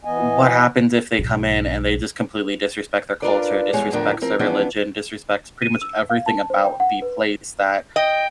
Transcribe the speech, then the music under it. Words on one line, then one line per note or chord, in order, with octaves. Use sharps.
what happens if they come in and they just completely disrespect their culture, disrespects their religion, disrespects pretty much everything about the place that,
E3 B3 D#5 G#5
B1 G#2
D4 D#4 F4 A#4 B4 D5
E2 G3 G#3 G#4 C#5
E2 A2 D3 F3 D4 A#4
F3 C4 A#4
E3 F3 B3 C#4 D4
D#7
E6
F5
A5
C5
G5
F#5
B4
D#5 G5